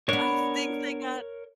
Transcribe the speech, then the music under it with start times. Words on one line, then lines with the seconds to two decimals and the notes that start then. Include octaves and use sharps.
I think they got
0.09 B3 D4 A#4 C#5